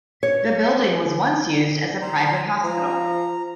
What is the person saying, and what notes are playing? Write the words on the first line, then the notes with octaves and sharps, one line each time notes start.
The building was once used as a private hospital.
C#5
C5 A#5
F3 A#5